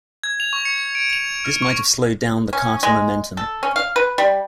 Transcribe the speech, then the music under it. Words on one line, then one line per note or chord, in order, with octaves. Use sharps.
This might have slowed down the Carter momentum.
G#6
F7
C#6
C#7
D7
F7
F6
C#6
C#4
G#3
A4
C#4
F5
B4
G3